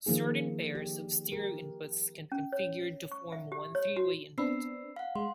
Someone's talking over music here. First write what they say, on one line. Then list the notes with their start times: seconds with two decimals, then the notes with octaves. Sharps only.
Certain pairs of stereo inputs can be configured to form one three-way input.
0.06 D#3 F3 A#3 D#4 G#4
0.75 G4
1.32 G4 A#4
2.32 C#4
2.52 C#5
3.12 C#6
3.32 E5
3.52 G4
3.75 C#5
3.97 F#4
4.38 B3 C4 D4 B5 E6 C7
4.96 F5 F#5
5.16 G#3 C6